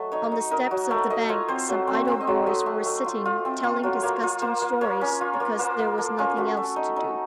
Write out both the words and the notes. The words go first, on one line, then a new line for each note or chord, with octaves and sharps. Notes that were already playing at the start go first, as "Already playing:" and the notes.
On the steps of the bank some idle boys were sitting, telling disgusting stories because there was nothing else to do.
Already playing: F#3 A3 D#5
D#4 C#5
D#4
D#4 A#4
F#3
A3 A#4
A3 D#5
F4 C#5
C4 C5
F#3 C5
C4
C5
C4
D#5
F#3
A3 D#5
A3
A3
F4
F4
C4
F4
F#3
A#3 C#5
F4
A#3 C5
A#3
A#3 C#5
C#4
C#5
F4
C#5
A#3
A#3 C5
A#3
A#3 A4
C#4 F4
A3 F#4
A3
A4
D#4
D#4